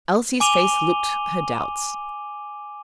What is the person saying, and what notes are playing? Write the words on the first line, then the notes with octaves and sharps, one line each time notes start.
Elsie's face looked her doubts.
G#5 D6 D#7 F7 G7